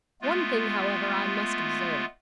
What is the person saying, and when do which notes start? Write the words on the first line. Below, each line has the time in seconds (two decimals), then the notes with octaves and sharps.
One thing, however, I must observe.
0.22 G#3 A3 B3 F4